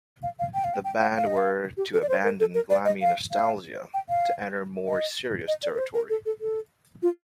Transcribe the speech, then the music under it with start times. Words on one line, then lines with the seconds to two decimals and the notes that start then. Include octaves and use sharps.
The band were to abandon glammy nostalgia to enter more serious territory.
0.23 F5
0.39 F5
0.54 G5
0.64 F5
0.74 G5
0.84 G5
1.01 F5
1.17 F5
1.27 D#5
1.37 F5
1.77 G4
1.93 A4
2.02 D5
2.09 C5
2.24 A#4
2.40 A4
2.54 A#4
2.70 D5
2.85 D#5
3.02 F5
3.32 F5
3.94 G5
4.09 F5
4.87 D#5
5.48 D#5
5.63 D5
5.74 A#4
5.78 C5
5.94 A#4
6.10 A4
6.26 A4
6.41 A4
7.02 F4